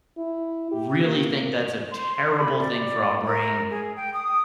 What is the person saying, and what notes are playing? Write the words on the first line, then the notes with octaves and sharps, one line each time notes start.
really think that's a terrible thing for our brain,
E4
G4
A#3
C5
B5
D5
A#4
G#4
G5
D#6